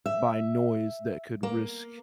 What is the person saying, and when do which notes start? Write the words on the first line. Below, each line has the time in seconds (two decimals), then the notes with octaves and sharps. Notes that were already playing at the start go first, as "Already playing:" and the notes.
by noise that could risk
0.06 E5
1.43 A#3